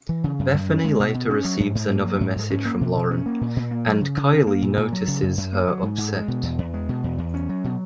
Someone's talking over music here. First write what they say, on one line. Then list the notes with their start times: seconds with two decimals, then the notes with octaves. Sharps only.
Bethany later receives another message from Lauren and Kylie notices her upset.
0.09 E3
0.24 C#3
0.39 F#2
0.54 F#2
0.69 C#4
0.84 G#3
1.00 B2
1.14 B2
1.30 C#4
1.45 F#3
1.60 G#2
1.75 G#2
1.90 A#3
2.05 F#3
2.21 G#2
2.36 G#2
2.50 C#4
2.65 A#3
2.81 B2
2.96 B2
3.11 C#4
3.26 A#3
3.41 A#2
3.56 A#2
3.71 A#3
3.87 F#3
4.01 C#3
4.17 C#3
4.32 C#4
4.47 A#3
4.62 A#2
4.77 A#2
4.92 F#3
5.08 C#3
5.23 F#2
5.37 F#2
5.53 A#3
5.68 F#3
5.83 G#2
5.98 G#2
6.13 G#3
6.28 B2
6.43 E2
6.58 E2
6.74 G#3
6.89 B2
7.04 E2
7.18 E2
7.34 C#4
7.49 F#3
7.64 B2